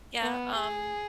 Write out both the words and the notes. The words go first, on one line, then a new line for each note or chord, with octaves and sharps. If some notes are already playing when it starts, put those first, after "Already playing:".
Yeah, um
B3
G#4